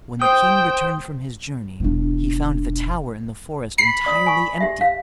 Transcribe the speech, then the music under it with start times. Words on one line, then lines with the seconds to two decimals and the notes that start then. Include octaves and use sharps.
When the king returned from his journey he found the tower in the forest entirely empty.
0.22 C5 G5 D#6
1.80 E1 D4
3.78 B5 C7
4.06 D5 D#6
4.26 G#5 C#6
4.60 G4 E5
4.81 F5